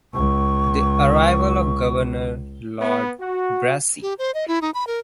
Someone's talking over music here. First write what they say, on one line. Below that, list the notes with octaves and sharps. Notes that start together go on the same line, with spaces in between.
The arrival of the Governor Lord Brassey.
C#2 C#6
B3
F#4
G4
C5
D#5
E4
D#4
B5
A#4